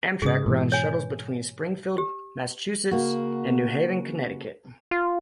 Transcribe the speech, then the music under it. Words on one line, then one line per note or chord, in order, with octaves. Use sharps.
Amtrak runs Shuttles between Springfield, Massachusetts, and New Haven, Connecticut.
G#2 C#3 G#4 D#6
G#2 B2 E3
C#5 G#5
G4
C#3 A#3 F#4
F4